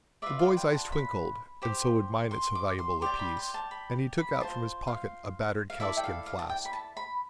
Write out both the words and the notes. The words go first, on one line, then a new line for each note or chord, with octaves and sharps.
The boy's eyes twinkled, and so would mine at so valuable a piece, and he took out from his pocket a battered cowskin flask.
F4 B4 D5 E5
F5
G5
A5
B5
G4 C5
C6
D6
C6
G4 D5 C6
B5
C6
A5
B5
B5
F4 C5 A5
F5
F5
E4 A4 D5 E5
G5
F5
F5
A5
G5
B5
A5
B5